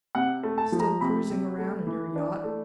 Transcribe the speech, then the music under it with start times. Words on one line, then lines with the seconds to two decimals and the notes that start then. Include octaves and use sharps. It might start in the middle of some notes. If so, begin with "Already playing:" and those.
"Still cruising around in your yacht?"
0.15 C3 F#5
0.43 A3
0.58 A5
0.72 F3
0.80 A#5
1.01 C3 B5
1.30 C3
1.58 A3
1.87 E3
2.16 D4
2.44 A3